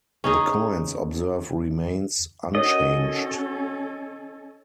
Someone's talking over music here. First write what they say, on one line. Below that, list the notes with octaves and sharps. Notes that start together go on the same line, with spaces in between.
The coin's obverse remains unchanged.
C#4 D#4 G#4
C#4 D#4 F#4 A4 A#4 C#5 D#5